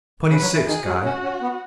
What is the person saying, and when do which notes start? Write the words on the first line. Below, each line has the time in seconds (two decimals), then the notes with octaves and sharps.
"Twenty-six, Guy."
0.29 C#3 B4
0.41 F#3
0.54 E3
0.67 D#3 G#4
0.86 F#3
1.04 C#4 F#4
1.23 C#4
1.42 B3